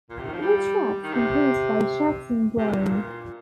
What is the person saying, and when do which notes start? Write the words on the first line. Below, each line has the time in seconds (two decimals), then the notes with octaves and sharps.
All tracks composed by Jackson Browne.
0.10 A#2
0.19 C3
0.25 D#3
0.33 F3
0.42 G3
1.03 D#3
1.13 C3
2.58 C3
2.68 A#2
2.78 G2
2.87 A#2